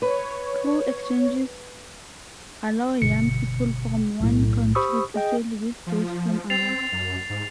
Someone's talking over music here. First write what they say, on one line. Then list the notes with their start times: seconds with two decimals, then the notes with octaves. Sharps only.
Crew exchanges allow young people from one country to sail with those from another.
0.02 B4 C#5
3.02 G1 B2 C#7
4.20 B1 A2
4.75 G4 C5 B5 C#6 D#6 E6
5.14 G#4 D#5 G5
5.87 F3
6.50 C4 A6 C7 F7
6.93 F#2
7.30 G#2